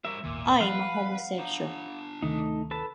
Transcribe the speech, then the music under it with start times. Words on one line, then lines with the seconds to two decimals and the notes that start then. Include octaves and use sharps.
I'm a homosexual.
0.05 G2 A#4 E5
0.23 G#1 D#2 A#2 D#3
0.61 F3 F#3 B4 F5 F#5
1.38 D4 A#5
2.23 D2 C3 D#3 A3 D#4
2.71 A4 B4 A5